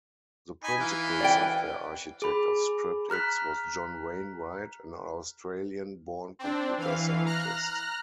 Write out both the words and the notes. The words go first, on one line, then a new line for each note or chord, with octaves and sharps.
The principal software architect of ScriptX was John Wainwright, an Australian-born computer scientist.
D#4 G#5 B5
E3 F5
D5 F#5 G5
G#4 B5
A#5 F6 F#6 B6
C4 D4
E3 F5
A#5 F6 F#6 A#6